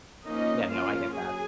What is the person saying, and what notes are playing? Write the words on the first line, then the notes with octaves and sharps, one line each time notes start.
Yeah, no, I get that.
F3 A#3 C#4 D#4 D#5
F3 A#3 C#4 F4 F5
F#3 G#4 G#5